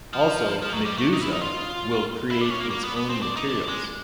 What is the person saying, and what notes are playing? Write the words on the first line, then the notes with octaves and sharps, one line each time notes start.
Also, "Meduza" will create its own materials.
F3
F3
F#3
G3
A3
D#4
E4
D#4
F4
E4
D4
C#4
A#3
A#3
B3
B3
C4
D4
D#4
D4
G#3